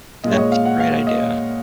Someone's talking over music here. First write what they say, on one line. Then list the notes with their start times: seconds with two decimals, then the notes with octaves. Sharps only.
That's a great idea.
0.24 A#2 G#3 D#5
0.32 C#5
0.38 D#5
0.52 F5
0.65 F#5
0.80 F5
1.07 D#5